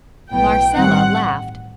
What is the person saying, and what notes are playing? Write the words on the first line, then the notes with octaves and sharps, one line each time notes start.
Marcella laughed.
B1 A2 F#3 B3 G5
A1 G2 D#3 G3 C4 F#5